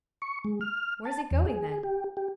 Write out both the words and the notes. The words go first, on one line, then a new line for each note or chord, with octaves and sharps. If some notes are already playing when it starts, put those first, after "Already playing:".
"Where is it going then?"
C#6
G#3
F6
A5
E2
G#4
G4
G4